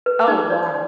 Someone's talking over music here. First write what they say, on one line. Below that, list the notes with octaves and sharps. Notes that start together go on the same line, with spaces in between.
Oh, wow.
B4
D#4
D5